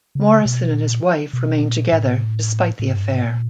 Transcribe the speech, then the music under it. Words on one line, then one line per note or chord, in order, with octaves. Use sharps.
Morrison and his wife remained together despite the affair.
C#3
B2
A#2
B2
A#2
A2
A2
G#2
G2
G#2
A#2